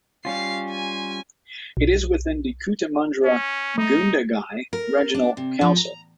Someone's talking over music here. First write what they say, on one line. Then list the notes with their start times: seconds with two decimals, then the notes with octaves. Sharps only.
It is within the Cootamundra Gundagai Regional Council.
0.25 G3 C#4 F4 F5 C7
0.70 G#5
1.77 B1
3.24 C#4
3.78 A3 D#4
4.73 A#4
5.14 D4
5.37 C3
5.61 F3
5.77 A#5